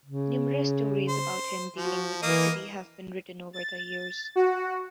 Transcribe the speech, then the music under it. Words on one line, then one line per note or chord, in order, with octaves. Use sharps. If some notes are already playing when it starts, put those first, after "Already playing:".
Numerous stories about him dealing with the city have been written over the years.
C#3
C5
F3 F#4
E3 A#3 D#5
A6
F#4